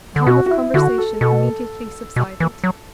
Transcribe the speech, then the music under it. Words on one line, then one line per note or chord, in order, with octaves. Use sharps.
The hum of conversation immediately subsided.
D3
B2 F#4
F#4
E4
D3 F#4
A4
B2 A4
B2
E3
F#3